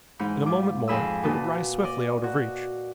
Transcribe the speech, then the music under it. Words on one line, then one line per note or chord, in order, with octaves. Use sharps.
In a moment more it would rise swiftly out of reach.
G#2 E3 D#4 B5
F4 D6
F2 G#4 B5 D#6 E6
A#2 F#4 B4 A5 D#6
D5 D#5
F#4